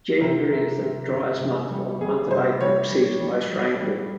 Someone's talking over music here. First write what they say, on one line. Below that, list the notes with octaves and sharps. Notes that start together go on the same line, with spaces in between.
January is the driest month while the month of April receives the most rainfall.
C3 A#4
C3
C3
C3
C3
G3
G3 G#4
C3 C5
G3 C#5
G3
G3
G3
G3